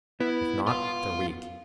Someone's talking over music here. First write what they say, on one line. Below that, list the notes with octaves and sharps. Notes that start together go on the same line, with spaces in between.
If not, they're weak.
B3 E4
F5 C6